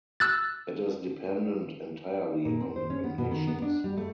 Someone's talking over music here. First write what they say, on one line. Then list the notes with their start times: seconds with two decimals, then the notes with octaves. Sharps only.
It is dependent entirely on donations.
0.20 E6 F#6 A6
2.45 A#2
2.60 C4
2.76 C5
2.90 C#4
3.04 B3
3.18 B2
3.31 D#3
3.47 B3
3.62 D4
3.84 G3
3.97 A3